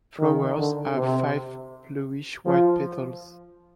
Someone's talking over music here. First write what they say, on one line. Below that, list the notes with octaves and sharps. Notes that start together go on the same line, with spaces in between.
Flowers have five bluish-white petals.
D#3
D3
C3
F3